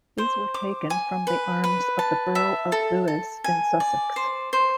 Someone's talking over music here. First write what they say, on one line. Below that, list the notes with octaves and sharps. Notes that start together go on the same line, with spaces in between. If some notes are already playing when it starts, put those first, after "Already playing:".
These were taken from the arms of the borough of Lewes, in Sussex.
C5
D6
G#5
B4
B4
A5
E5
A4
A4
G#5
D5
C5
C5